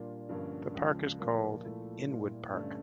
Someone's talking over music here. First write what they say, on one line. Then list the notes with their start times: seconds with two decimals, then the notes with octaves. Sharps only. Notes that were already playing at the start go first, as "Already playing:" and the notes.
The park is called Inwood Park.
Already playing: A#2 G3 A#3 D4 F4
0.29 G2 D3 F3 A#3 C#4
0.74 C#2 C#3 F3
1.18 A#2 F3 A#3
1.63 A#2 F3 A3 E4
2.09 A#2 G3 A#3 E4
2.54 G2 D3 A3 C#4